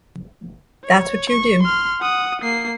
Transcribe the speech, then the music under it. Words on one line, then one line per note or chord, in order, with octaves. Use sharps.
That's what you do.
C#5
C#6
C6 F6
F#5 D#6
A#3 C7